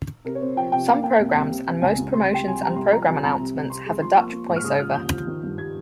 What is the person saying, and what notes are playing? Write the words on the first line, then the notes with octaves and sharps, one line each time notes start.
Some programs and most promotions and program announcements have a Dutch voice-over.
C3 A#4
C#5
C4
F3 G5
C3 G5
A#3 F5
A#3 G5
C2
C2
C3
C3
C#2 G#5
C#2
C3 C6
G3 G5
C3 G#5
G3 A#5
C2 C6
F3 A#5
C2 G#5
C2 A#5
C3
C2
C3 C6
G#3
F3 C6
A#3 C#6
A#3
G#2
F6
C#3 D#6
F3 F6
D#2 G6
F3
D#3
G2
G3 G#6